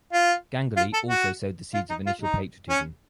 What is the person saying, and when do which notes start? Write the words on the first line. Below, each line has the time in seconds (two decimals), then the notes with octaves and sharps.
Ganguly also sowed the seeds of initial patriotism.
0.13 F4
0.77 F4
0.93 A4
1.09 F#4
1.74 F4
1.90 D#4
2.06 F4
2.22 D#4
2.69 C#4